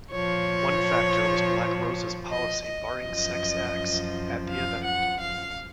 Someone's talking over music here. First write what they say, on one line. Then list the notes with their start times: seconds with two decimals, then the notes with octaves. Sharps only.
One factor was Black Rose's policy barring sex acts at the event.
0.11 A#2 F3 C#5
2.30 D#5
2.66 D#5
3.02 F#2 F3
4.49 F5
4.85 F#5
5.21 F5